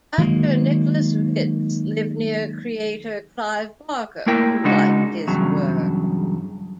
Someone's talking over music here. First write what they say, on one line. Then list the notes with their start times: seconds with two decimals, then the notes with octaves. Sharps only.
Actor Nicholas Vince lived near creator Clive Barker, who liked his work.
0.18 D#3 F#3 G#3 A#3
4.26 A3 A#3 E4 A#4 G5
4.64 C#3 G#3 D4 D#4 F#4
5.28 E2 G2 C#3 F#3